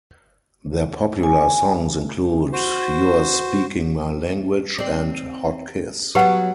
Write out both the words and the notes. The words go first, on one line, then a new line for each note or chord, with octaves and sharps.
Their popular songs include "You're Speaking My Language" and "Hot Kiss".
G#5
F#4 C5
C4 D5
F#3 B3 G4 B4 F#5